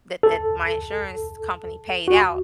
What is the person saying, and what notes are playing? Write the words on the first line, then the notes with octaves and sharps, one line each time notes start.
that that my insurance company paid out.
A4
F#4